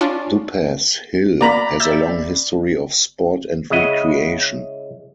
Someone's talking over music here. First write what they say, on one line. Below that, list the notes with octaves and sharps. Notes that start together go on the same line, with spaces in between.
Duppas Hill has a long history of sport and recreation.
C#4 D4 F4
A#3 D5 A#5 B5
E5 G6 A6
C#3 G#3 E4 D#5 F#5